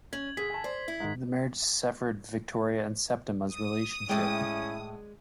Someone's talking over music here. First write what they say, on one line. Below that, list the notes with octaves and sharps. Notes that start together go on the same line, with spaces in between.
The marriage severed Victoria and Septima's relationship.
C#4 G#6 F#7
D3 G#4 B6
G#5 A5
C5 D5
E4
G#2 D#3
D#6
A2 G#3 C#4 E4 D5 G5